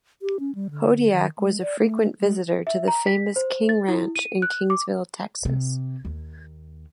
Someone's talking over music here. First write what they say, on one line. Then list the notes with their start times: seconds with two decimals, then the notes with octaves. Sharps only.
Hodiak was a frequent visitor to the famous King Ranch in Kingsville, Texas.
0.22 G4
0.40 C#4
0.55 G3
0.70 D3
1.12 D#3
1.38 G#3
1.61 D5
1.80 A3
2.20 G#3
2.67 E5
2.88 A#5
3.06 B6
3.36 C5
3.69 A6
3.88 E4
4.16 D#7
4.42 F#6
4.70 D6
5.45 C3
6.05 D#2